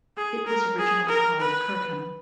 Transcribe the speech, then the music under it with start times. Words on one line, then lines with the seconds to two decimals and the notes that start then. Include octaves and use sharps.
It was originally called "Kirkham".
0.17 G#4
0.47 A#4
0.79 G#4
1.09 A#4
1.41 B4